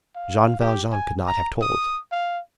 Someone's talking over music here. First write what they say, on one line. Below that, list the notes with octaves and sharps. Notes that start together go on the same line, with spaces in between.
Jean Valjean could not have told.
F5
G4
G#5
A#5
D#6
F5